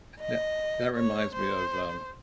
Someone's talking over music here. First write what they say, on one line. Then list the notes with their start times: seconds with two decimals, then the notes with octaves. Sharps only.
Tha that reminds me of, um,
0.20 D#5
0.96 C#5
1.35 C5